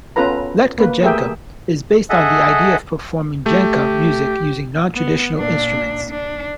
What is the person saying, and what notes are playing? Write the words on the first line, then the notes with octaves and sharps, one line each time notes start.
Letkajenkka is based on the idea of performing Jenkka music using non-traditional instruments.
B3 C#4 F4 A4 B4 A#5
A#3 B4
A3 G4 G#4 A#4 E5 G5
G#4 A4 D#5 E5 F#5
A3 G4
B3
A#2 D4
D4